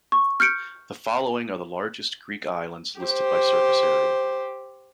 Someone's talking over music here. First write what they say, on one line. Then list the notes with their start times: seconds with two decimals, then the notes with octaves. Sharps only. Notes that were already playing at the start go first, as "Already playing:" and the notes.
The following are the largest Greek islands listed by surface area.
0.12 C#6
0.40 F6 G6 C#7 D7
3.01 G4 C5